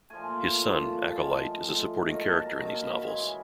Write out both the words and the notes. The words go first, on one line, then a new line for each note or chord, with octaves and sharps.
His son, Acolyte, is a supporting character in these novels.
A#2 F3 A3 G#5
A#2 F3 A3
G#5
A2 F3 G#3 A5
A2 F3 G#3
D#3 F#3 A#3 A#5
A5
A5
A#5
D#3 F#3 A#3 A#5
B5
C#3 E3 G#3 G#5